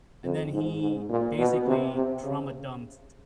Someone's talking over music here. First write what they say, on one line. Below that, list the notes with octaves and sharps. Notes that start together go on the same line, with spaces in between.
And then he basically trauma-dumped
F2
G#2
G#2
A#2
B2
C3
C3
C#3